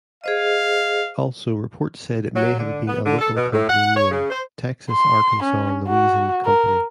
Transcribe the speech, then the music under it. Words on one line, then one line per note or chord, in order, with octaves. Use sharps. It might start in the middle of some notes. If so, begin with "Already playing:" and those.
Also reports said it may have been a local company name Texas-Arkansas-Louisian Company.
G#4 C5 D#5 F5
F#3
D3
B3
D3
A4
B2
A2
F#5
C#5
C#3
C5
C6
C#4
F#4
A#4